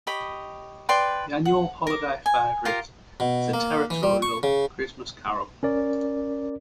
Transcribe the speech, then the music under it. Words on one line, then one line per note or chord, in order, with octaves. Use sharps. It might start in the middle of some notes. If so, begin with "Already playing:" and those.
The annual holiday favorite is A Territorial Christmas Carol.
G4 C#5 D#5 B5
B4 D5 G5 C6
F#5
A#4 D6
G#5
F4 G4 A#4 A#5
B2
A#3
E3
G3
C#6
C#3
C#4 A#4 D5